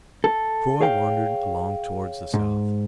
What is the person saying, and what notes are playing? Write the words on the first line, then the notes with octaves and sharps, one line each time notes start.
Troy wandered along towards the south.
A4
G#4 C#5 F5 G5
G#2